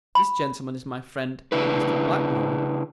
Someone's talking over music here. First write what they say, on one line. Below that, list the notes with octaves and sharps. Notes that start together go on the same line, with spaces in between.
This gentleman is my friend, Mr. Blackmore.
B5
C#3 D4 E4 B4